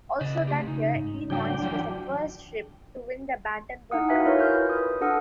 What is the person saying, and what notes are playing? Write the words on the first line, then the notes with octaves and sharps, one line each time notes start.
Also that year, "Illinois" was the first ship to win the Battenberg Cup.
C#3 B4 D5 D#5
A3 F4 G4
C#3 D#4
G#2
C#3 F#3 G3 A3 D4 G5
E3 G3 F4
D#4 E4 F#5 D#6
F#4 B4 E5 F5 G#5
E4 F4 A#4 C#5
B4 F6 G6
D#6
D4 F4 A4 F#5 D#6 F6